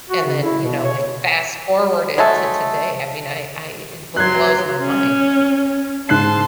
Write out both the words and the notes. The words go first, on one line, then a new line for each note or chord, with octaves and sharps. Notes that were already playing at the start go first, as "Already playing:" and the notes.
and then, you know, like, fast-forward it to today, I mean, I I it b blows my mind.
F#4
C#3
E4
B2
C#5
F#3 G#3 A3 A4
F#3 C6 F#6 G#6
C#4
G#2 A5 C6 F#6 C7